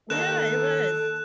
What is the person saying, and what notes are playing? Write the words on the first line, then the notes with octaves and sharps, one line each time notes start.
Yeah, it was.
D#2 A4 A#4 D#5 F#6 E7